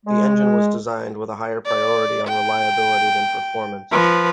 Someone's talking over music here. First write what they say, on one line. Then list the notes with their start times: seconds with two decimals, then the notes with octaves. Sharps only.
The engine was designed with a higher priority on reliability than performance.
0.06 G#3
1.66 D5
2.28 G5
3.91 F3 B4